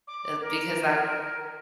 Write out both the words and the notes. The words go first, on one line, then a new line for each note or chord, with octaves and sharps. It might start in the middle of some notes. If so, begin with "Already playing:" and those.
uh, because I
D6
A#4